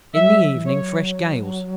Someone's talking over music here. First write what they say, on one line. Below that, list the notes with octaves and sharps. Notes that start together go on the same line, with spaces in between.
In the evening fresh gales.
F#3 E5
G3
F#3
E3
F#3 C#5